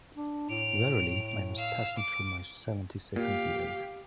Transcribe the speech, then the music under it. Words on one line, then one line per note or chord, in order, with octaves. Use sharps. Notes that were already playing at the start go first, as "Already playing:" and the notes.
Verily I was passing through my seventy-second year.
D4
A2 D7 F7
F5 E6
D6
A#2 G4 F5